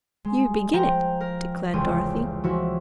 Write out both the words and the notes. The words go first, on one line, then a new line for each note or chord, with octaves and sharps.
"You began it," declared Dorothy.
G#3
F3 G5 A#5
A#4
F1 C#2 E3 C4 D#7
E3 F3 E4 F#4